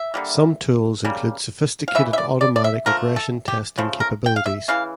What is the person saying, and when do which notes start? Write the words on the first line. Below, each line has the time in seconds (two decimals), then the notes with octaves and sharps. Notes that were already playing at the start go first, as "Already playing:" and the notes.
Some tools include sophisticated automatic regression testing capabilities.
Already playing: E5
0.14 D3 G3 A#3
1.05 C#3 G3 A#3
1.88 F5
1.95 C#3 E3 E5
2.13 E5
2.18 D5
2.41 D5
2.56 D5
2.64 E5
2.86 D3 F3 A3 A#4
3.16 A4
3.48 G4
3.78 C#3 F3 A3
4.00 A#4
4.26 G5
4.36 F5
4.46 E5
4.68 C#3 E3 F5